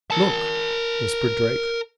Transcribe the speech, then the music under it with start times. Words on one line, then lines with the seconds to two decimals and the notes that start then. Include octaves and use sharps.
"Look," whispered Drake.
0.11 A#4 A5